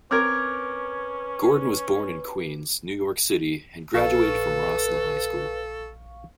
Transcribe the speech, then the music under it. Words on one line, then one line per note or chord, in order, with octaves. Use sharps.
Gordon was born in Queens, New York City and graduated from Roslyn High School.
C4 C#4 A#4 B4 D6 F6 G#6
A#1 A4 B4 F5 C#6